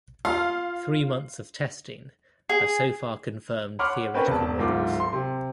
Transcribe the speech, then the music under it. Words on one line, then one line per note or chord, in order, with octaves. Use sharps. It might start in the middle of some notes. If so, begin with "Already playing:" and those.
Three months of testing have so far confirmed theoretical models.
F4 F5
G#4
C#5 F#5 B5 C6 D6 F6
C4 C#4 A#4 B4 C#5
E1 A5
D1 G#2 F4 D6
C6
C3